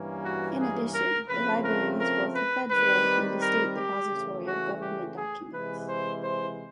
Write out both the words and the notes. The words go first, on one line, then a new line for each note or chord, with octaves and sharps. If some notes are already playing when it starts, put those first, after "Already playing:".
In addition, the library is both a federal and state depository of government documents.
Already playing: G2 E3 G3 A#3 C#4
F#4
G#4
A#4
C#3 F3 A3 C4 B4
A#4
A#4
B4
D#3 G3 C4 B4
A#4
G4
C#3 E3 A3
F#4
G4
G#4
C3 E3 G#3 B4
C5
C5